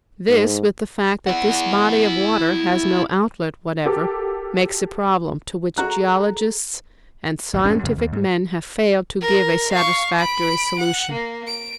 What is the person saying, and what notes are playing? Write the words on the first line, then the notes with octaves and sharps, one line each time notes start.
This, with the fact that this body of water has no outlet whatever, makes a problem to which geologists and scientific men have failed to give a satisfactory solution.
G#2
E4 F#5
F#4 G4 A4 A#4 D6
F#4 G#4 A4 A#5 F#6
G#1 D2
E1 G#2 C#4 D4
F#2 C#3
D#2
G#2
A#4
F5 C#6
B5 D7
F#5
A#3
D7